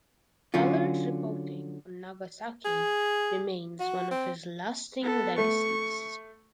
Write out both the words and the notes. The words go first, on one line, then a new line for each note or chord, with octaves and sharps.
Weller's reporting on Nagasaki remains one of his lasting legacies.
D3 F#3 C#4 F4
G#4
F#4
C4
B3 A4
A3 C#6